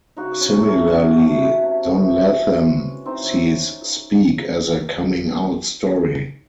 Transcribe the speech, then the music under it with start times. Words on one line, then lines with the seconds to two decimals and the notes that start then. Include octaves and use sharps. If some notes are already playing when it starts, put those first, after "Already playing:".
Similarly, Don Latham sees "Speak" as a "coming-out" story.
0.17 C#3 D#4 F#4
0.41 C#4
0.53 F#3 A3
0.65 C#4
0.89 D#3 C#4
1.25 F#3 A3
1.61 C3
1.97 E3 A3
2.33 A2
2.70 G#3
3.05 A2 C4 D#4
3.23 C#4